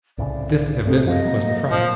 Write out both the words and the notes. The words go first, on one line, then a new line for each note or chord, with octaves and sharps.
This, evidently, was the front.
C2 A2 C#3 D5
C3 A3 G#4
F3 D#5
F#3 A#3
A#2 F3